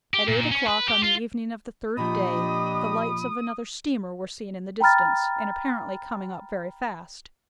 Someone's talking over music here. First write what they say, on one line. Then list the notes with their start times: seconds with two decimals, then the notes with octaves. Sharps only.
At eight o'clock on the evening of the third day, the lights of another steamer were seen in the distance, and apparently coming up very fast.
0.14 G4
0.27 A#2
0.51 C#4
0.66 B4
0.88 G4
1.03 F4
1.97 A#2 F3 D4 G4 D#5 B5 D#6
4.80 G5 A#5 B5 F6 A6